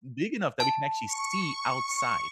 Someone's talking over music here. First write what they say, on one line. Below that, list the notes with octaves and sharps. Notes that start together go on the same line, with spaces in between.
big enough that we can actually see outside.
A5
C#6